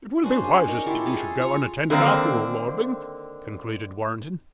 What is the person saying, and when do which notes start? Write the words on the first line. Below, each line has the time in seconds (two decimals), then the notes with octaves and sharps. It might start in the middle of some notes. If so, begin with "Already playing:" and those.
"It will be wisest that you should go unattended, after all, lording," concluded Warrenton.
0.24 C#4 D4 F#4 C5
0.44 G#4
0.67 D#4 A#4 C#5
0.86 E4 F4 G4 A4
1.06 G#4 A4 F5
1.40 F4 A#5 C#6
1.90 D3 D#3 A#3 C4